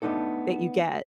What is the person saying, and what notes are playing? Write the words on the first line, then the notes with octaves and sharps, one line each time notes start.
that you get.
A3 B3 D4 D#4 A4